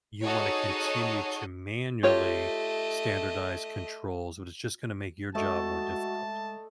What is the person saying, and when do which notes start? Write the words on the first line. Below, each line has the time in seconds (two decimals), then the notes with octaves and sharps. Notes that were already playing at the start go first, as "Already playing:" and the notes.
you wanna continue to manually standardize controls, but it's just gonna make your job more difficult.
0.24 D#4 F#4 G#4 A4 C#5 D#5
2.03 A3 F4 G4 C#5 D#5
5.35 G#3 A3 F#4 D5 D#5 A5